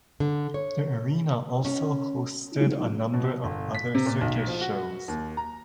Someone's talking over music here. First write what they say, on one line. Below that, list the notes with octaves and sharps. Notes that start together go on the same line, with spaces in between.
The arena also hosted a number of other circus shows.
D3
C#5
C#4
B2
G1
B6
C3
A#2
B1
F3
F#4
D#2
A#5